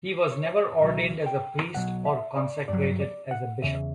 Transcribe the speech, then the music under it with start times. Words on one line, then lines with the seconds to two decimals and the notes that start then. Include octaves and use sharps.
He was never ordained as a priest or consecrated as a bishop.
0.32 C#5
0.79 C#2 B2 F#3 E5
1.26 G5
1.74 B1 B2 F#3 F#5
2.05 E5
2.37 D5
2.68 G2 F#3 D5
3.00 D5
3.31 F#5
3.62 E2 C#3 E5